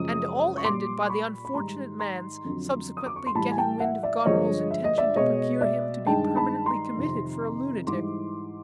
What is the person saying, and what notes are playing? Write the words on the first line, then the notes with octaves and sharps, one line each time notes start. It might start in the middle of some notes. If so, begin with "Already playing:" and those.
And all ended by the unfortunate man's subsequently getting wind of Goneril's intention to procure him to be permanently committed for a lunatic.
Already playing: F#2 C#3 F3 G#3 D#6
C#6
A#2 G3 C6 D6
B5 C#6
B5
G#2 D#3 G3 A#5 C6
A#5 C6
F2 D3 F#3
D#6
D6
C#6
C6
A2 E3 G3 A5 B5
G#5
G5 A5
E5 F#5
D5 E5
G2 D3 F3 G#3 C#5 D#5
E5
D#5
D5 E5
B2 G#3 C#5 D#5
D5 E5
G2 D#3 G#3 G5 A5
A5 B5
A#5 C6
F2 C3 D#3
G#2 E3 G3 C6 D6